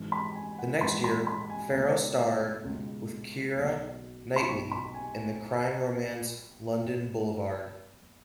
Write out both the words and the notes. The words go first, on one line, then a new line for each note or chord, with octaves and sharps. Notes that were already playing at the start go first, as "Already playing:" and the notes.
The next year, Farrell starred with Keira Knightley in the crime romance "London Boulevard".
Already playing: G#1 G#2 E3
B5
G#5
F#5
G#1 G#2 E3 B5
B5
B5
G#5
C#2 B2
C#2 B2
B1 B2
B5
B1 B2 C#6
B5
G#5